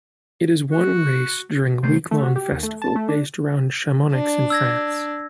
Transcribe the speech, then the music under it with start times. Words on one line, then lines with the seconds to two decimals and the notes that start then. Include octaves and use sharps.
It is one race during a week-long festival based around Chamonix in France.
0.71 F#4
1.83 C3 A3 C5
2.11 A3
2.23 F#4
2.36 G4
2.51 D#2
2.63 A3
2.82 A5
2.96 A3
3.09 D4
4.13 D4
4.50 E6 G#6 A#6